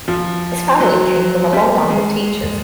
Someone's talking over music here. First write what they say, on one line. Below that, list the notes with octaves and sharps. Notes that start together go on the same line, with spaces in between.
His family came from a long line of teachers.
F3
F#3
G3
G#3